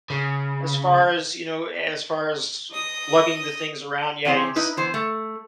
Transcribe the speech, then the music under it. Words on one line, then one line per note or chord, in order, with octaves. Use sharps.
as far as, you know, as far as, uh, lugging the things around, yeah, it's
C#3
D#5 D#6
C3 E3 C#4 G4 G#4 C5
D#4 E4 B4
E3 B3 C5
A3